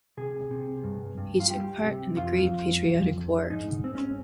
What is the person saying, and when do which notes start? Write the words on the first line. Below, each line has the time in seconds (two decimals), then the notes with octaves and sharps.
He took part in the Great Patriotic War.
0.17 C3 G#4
0.51 C3
0.84 G2
1.18 G2
1.40 F4
1.50 G3 G4
1.84 C3
2.17 F2 F4
2.51 F2
2.84 F2
3.17 F2
3.50 G#2 D#4
3.83 G#2 C4
3.95 C#4